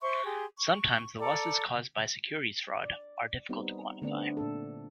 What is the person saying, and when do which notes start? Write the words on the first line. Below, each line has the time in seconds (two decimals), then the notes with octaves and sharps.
Sometimes the losses caused by securities fraud are difficult to quantify.
0.01 C5 E5 C6 C#6
0.24 G4 G#4 C6
0.57 C#6
1.20 A4 D5 A#5 D6
2.82 D5
3.49 G3 B3 C4 D#4
4.02 D3 A3 B3 C4 D4
4.37 A#2 D4 A4